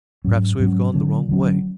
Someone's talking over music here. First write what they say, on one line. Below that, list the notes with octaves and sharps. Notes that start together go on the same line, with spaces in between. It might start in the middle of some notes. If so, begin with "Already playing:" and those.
"Perhaps we have gone the wrong way."
G#2 F#3 C#4
G#2 F#3 C#4
D3 F#3 C#4
D3 F#3 C#4